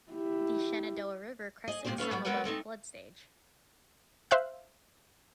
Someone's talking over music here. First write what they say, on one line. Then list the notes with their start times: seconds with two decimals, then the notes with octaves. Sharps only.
The Shenandoah River crested some above flood stage.
0.12 E4 G4
1.68 G#4 D#5
1.85 A#2 G#3 C4 G4 C5
1.98 A3 C#4 B4 F5
2.11 F#3 G3 B3
2.25 G#3 B3 C4 A#4 B4 F#5
2.44 G#3 A3 C4 D#4
4.31 C5 E5 F5 F#6